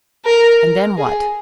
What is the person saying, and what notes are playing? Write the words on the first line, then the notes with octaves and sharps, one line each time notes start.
"And then what?"
A#4
G#4